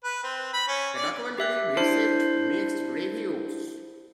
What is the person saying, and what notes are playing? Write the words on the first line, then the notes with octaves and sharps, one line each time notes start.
The documentary received mixed reviews.
B4
C4
B5
C#4
D5
G4 E5 F#6
D4 E4 C5 C7